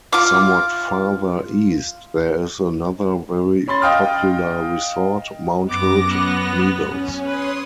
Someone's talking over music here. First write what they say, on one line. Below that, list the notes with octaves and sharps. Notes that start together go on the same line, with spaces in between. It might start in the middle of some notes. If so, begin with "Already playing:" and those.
Somewhat farther east there is another very popular resort, Mount Hood Meadows.
F4 D6
C#4 B5 C6 A6
D#5 F5 G5 D#6 F6
F#2 B3 D6 A#6
B3
C#4
B4 C#5 C6 D#6